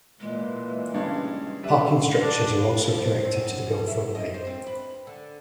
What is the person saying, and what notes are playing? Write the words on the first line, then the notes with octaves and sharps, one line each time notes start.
Parking structures are also connected to the Gopher Way.
A#2 E3 G#3
G2 C#3
D3 G3 B4 E5
D4
F5
F3
C4
F#2
B2
E5
D#5
C5
C4
B4
D3